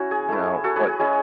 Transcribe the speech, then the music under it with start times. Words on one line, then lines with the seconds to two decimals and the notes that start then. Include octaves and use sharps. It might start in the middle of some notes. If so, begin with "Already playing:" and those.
you know, what
Already playing: C#4 E4 F#4
0.11 G#4
0.29 A3 E4
0.64 F#4 A4
0.76 G#4 B4
0.88 G#4
0.99 G#3 C#4 E4 G#4